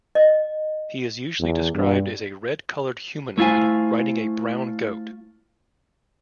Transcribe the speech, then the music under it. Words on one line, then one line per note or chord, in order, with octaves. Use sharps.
He is usually described as a red coloured humanoid, riding a brown goat.
D#5
E2
G2
A3 E4 F4 C5 G#5